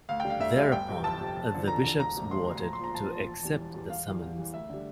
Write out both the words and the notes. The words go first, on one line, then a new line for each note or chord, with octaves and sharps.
Thereupon, the Bishops voted to accept the summons.
D2 F5
D3 G3 G5
F5
D2 E5
D3 G3 F5
G1 G5
F2 C3
G1 A5
F2 C3
F1
E2 D3 F3
F1 A#5
E2 D3 F3
E1 A#5
D2 C3 G3
E1 C6
D2 C3 G3
A#1 A#5
C6
A#2 F3 A#5
A#1 A5
A#2 F3
E1
E2 E3 G3
E1
E2 E3 G3
E2 F5
E3 G3
E2
E3 G3
D2 E5
D3 G3